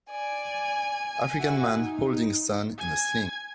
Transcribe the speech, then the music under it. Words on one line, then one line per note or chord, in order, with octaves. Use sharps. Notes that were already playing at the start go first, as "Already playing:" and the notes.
African man holding son in a sling.
D5 G#5
F#4 E5
D#4
G#5 G#6